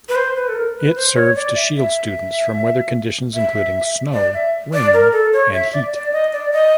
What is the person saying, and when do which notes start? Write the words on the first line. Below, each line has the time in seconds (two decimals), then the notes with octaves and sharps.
It serves to shield students from weather conditions including snow, rain, and heat.
0.09 B4
0.16 C5
0.36 B4
0.48 A4
0.55 A#4
0.76 B4
0.96 C5
1.15 C#5
1.35 D5
1.55 E5
1.75 E5
3.34 E5
4.13 D5
4.34 E5
4.73 D5
4.94 A#4
5.13 A4
5.33 C#5
5.53 E5
5.73 D5
5.93 D5
6.12 D#5
6.33 D5
6.53 D#5